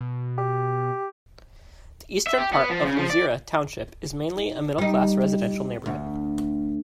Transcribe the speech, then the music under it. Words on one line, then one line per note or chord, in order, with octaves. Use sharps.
The eastern part of Luzira township is mainly a middle-class residential neighborhood.
B2
G4
E5
G4
B3
F3
C#3
F3
D5
G3 D#4
D2